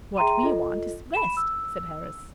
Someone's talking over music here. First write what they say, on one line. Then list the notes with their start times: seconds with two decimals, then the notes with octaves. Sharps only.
"What we want is rest," said Harris.
0.17 G#4 E5 G5 A#5 C6 D#7
0.43 F4 A4 D#5
1.14 B5 E7
1.37 E6